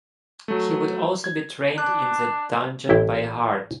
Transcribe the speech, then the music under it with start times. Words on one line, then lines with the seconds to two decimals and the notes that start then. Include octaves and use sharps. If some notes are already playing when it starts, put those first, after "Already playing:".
He would also be trained in the Dungeon by Hart.
0.48 F#3 A3
1.24 G#6
1.78 D4 F#6
2.89 A1 E4 G5